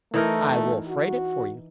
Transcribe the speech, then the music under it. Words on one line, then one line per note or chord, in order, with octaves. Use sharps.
"I will freight it for you."
E3 A3 D#4 A#4
F#4